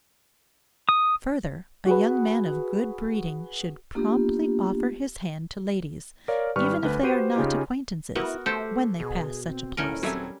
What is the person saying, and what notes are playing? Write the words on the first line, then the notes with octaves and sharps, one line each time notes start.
Further,--a young man of good breeding should promptly offer his hand to ladies, even if they are not acquaintances, when they pass such a place.
D#6
F#4 G#4 B4
A#3 B3 D4 F4 G4
A#4 C#5 D5 F5
G#1 G3 B4 C#6 F6
D2 B4
F#4 G4 B4 C5 D#7
C#3 C#4 D#4 F4 G4
B3 E4 F#4 A#4
A3 G4 A4 C5
B2 G#4
C4
D#1 A3 C#4 E4 A#4
F#3 G3 C4 A4 E5 G#5